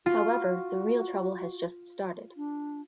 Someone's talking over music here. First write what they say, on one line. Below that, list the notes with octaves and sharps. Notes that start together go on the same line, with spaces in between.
However, the real trouble has just started.
F4 F#4
D4